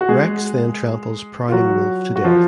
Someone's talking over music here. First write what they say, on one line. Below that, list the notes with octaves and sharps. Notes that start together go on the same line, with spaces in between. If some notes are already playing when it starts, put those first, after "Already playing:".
Rex then tramples Prowling Wolf to death.
F#4
G#3 G#4
F4
F#3 F#4
F#4
F3 F4